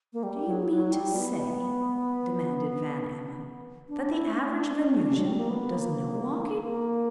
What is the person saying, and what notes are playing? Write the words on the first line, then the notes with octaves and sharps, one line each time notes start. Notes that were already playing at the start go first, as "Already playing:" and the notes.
"Do you mean to say," demanded Van Emmon, "that the average Venusian does no walking?"
A#3
G3
F#3
F#3
G3
B3
D4
E4
C#4
D4
D4
C#4
D4
F#3
G3
A#3
B3
A#3
A#3